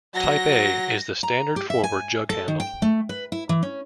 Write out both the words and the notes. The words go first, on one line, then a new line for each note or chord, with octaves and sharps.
"Type A" is the standard forward jughandle.
F#3 A#6
A#5
G4
E5
G#5
A4
D#3
G5
A3
B4
E4
E3
C#4